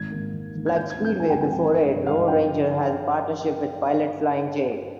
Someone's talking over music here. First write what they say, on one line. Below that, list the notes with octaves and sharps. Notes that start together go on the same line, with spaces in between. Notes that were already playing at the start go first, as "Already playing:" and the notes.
Like Speedway before it, Road Ranger has a partnership with Pilot Flying J.
Already playing: G#1 G#6
G#2 D#3 A#3
G#1
G#2 D#3 A#3
G#6
G#1 G6
G#6
G2 F3 G#3 C4
G6
G#1 G#5
G5
G2 F3 G#3 C4 G5
G5
G#1
G2 F3
G#1 F5
D#5
F3 G5